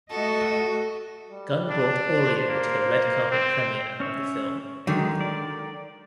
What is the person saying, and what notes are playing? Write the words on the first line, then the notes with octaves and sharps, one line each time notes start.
Gunn brought Oreo to the red carpet premiere of the film.
A3 F#4 A4 D#5
G3
D4
C5
A#3
C4
C#4 C#5 E5
D3 D#3 F#3 G#3
D5